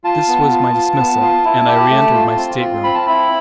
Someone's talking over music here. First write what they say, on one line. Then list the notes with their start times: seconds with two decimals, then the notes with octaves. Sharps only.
This was my dismissal, and I reentered my stateroom.
0.04 F4 A5
0.28 B3
0.51 F4
0.74 F4
0.98 B3
1.21 F4
1.44 E4
1.67 G4
1.90 A3
2.14 F4
2.36 C4
2.61 F4
2.84 C4 B5
2.94 A5
3.07 E4 B5